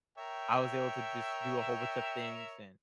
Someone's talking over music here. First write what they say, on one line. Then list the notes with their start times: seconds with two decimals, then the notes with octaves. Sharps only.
I was able to just do a whole bunch of things, and
0.18 A#4 C#5 E5 G5